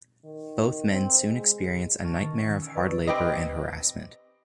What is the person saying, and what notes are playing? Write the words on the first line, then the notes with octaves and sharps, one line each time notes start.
Both men soon experience a nightmare of hard labour and harassment.
D#3
C4
G#3
A5 C#6 F6 A#6
D#3
C#4
E6 F6 G#6 A#6 D7
B4 D5 A5 B5 C#6 D#6
C4 G4 B4 D#5